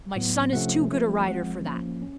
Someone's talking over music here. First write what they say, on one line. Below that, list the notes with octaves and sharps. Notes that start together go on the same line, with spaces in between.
My son is too good a rider for that.
A2 F#3 B3
C3 F3 A3 C#4 F#5
F3 A3 C4
F3 G#3 C4 F#5
F3 A#3 C#4
C#4